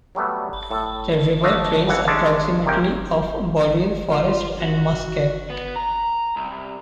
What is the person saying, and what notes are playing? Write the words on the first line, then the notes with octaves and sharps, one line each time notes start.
The river drains approximately of boreal forest and muskeg.
F#3 G3 A3 B3
A2 A4
A3 D4 D#5 F5
A#1 D#2 E3 F#5
G#3 C#4 D4 G4 A4
C3 D#3 A#3 C#4 G5
F4
F#4
B3
A#5
C2